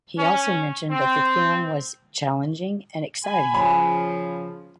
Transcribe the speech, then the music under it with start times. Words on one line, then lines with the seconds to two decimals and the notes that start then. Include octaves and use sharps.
He also mentioned that the film was "challenging" and "exciting".
0.17 C#4
0.90 C4
3.24 G#5 B5
3.54 C#3 F3 G#5 B5